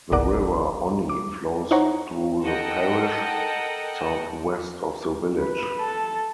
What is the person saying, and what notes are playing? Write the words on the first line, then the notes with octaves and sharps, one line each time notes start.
The River Onny flows through the parish, southwest of the village.
G1 C2 A#4 D5 F#5 D6
D6
D#4 E4 C5 C#5 F#5 A#5
A4 A#4 D#5 F#5 G5
B4
A4 A5